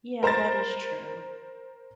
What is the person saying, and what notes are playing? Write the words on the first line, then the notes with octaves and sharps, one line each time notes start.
Yeah, that is true.
A#4 C5 A#5 B5 A6